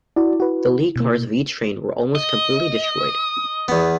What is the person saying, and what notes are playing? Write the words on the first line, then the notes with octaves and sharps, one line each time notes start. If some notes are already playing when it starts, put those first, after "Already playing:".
The lead cars of each train were almost completely destroyed.
E4 F#4 D5
F#4 B4
B2 A#3
D#5
E2 B3